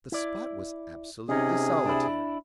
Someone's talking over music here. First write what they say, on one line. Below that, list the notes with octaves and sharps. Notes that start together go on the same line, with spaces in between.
The spot was absolutely solitary.
E4 D5
C3 C#4 D#4 G#4
D4 E4